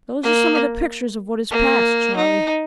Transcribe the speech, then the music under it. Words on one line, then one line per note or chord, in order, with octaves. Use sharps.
'Those are some of the pictures of what is past, Charley.'
A#3
A#3
D#4